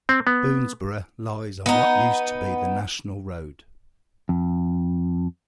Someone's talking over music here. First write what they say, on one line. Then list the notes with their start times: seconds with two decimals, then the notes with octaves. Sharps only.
Boonsboro lies on what used to be the National Road.
0.09 C4
0.27 B3
1.66 B3 D#4
4.29 F2